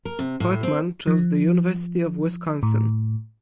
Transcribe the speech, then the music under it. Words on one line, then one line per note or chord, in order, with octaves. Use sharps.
Portmann chose the University of Wisconsin.
A#4
C3
A2
C4
F3
A2